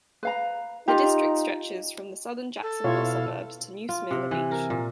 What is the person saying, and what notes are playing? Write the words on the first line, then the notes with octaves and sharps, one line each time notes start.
The district stretches from the southern Jacksonville suburbs to New Smyrna Beach.
B4 F5 A#5
D#4 F4 G4 A#5
A4
B2 E4 F4 C#5 F5
F4
C3
E3
A#4
A#2